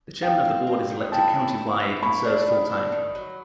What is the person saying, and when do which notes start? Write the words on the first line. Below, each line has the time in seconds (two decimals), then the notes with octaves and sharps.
The chairman of the board is elected county-wide and serves full-time.
0.22 C4 F5 G5
0.45 C4
0.67 C4
0.90 D#3
1.12 E4 G5 A5
1.35 E4
1.58 E4
1.80 E4
2.02 A#3 B5 C#6
2.25 D4
2.48 D#3
2.70 D4
2.92 D#3
3.15 F#3